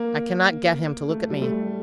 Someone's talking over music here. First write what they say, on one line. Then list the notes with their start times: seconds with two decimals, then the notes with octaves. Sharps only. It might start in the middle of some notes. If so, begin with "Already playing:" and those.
"I cannot get him to look at me."
Already playing: A#3
1.10 A3
1.30 G3
1.42 A3